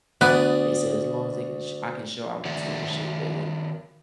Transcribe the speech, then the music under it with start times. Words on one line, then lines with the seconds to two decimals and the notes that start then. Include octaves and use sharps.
they said as long as they can sh I can show I'm still in shape, they would
0.21 D2 B3 D5 D#6
2.45 D#3 F#4 C5 D5 E5 F#5